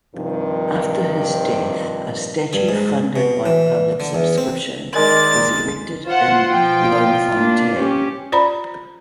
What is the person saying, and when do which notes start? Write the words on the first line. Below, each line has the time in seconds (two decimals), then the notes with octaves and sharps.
After his death a statue funded by public subscription was erected in Bloemfontein.
0.14 G2 C3 D#3 F3
2.53 G2
2.69 G#2
3.16 B2
3.46 E3
4.00 D3
4.15 E2
4.38 C4
4.95 D#3 G#3 A#4 D5 A6
6.06 F4 C5 F#5
6.50 B2 F3 G5
7.34 A#3 D4
7.74 C#4 G4
8.32 F4 C5 D5 A#5 B5